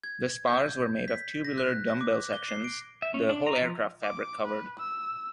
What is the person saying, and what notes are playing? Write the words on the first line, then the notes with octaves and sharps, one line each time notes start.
The spars were made of tubular dumbbell sections, the whole aircraft fabric covered.
G#6
G6
B6
A#6
F#6
A#6
D6
G7
C7
D7
E5
C#4
D4
A#5
F3
D6
B4
E6